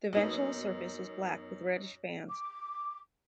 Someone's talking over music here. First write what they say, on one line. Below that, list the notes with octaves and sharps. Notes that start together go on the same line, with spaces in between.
The ventral surface was black with reddish bands.
F#2 A#3 B3 D#4 D#5
D6